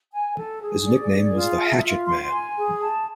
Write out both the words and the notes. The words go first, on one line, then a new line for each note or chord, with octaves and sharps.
His nickname was The Hatchetman.
G#5
A4
G#4
D5
G#4
F4
E5
F4
C6
G#5
G#4
A5